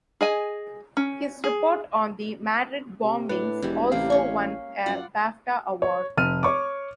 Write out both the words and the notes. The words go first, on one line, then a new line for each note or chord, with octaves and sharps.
His report on the Madrid bombings also won a Bafta award.
G#4 D#5 G#5
C#4
G#4
C3
A2 D4 B4
E1 E3 G3 G4
A1 C3 G3 A#3 F5
C#4 C#6
F#2 F4 D5 F#5
C#5
F1 F6 D#7
C#5 C#6 D6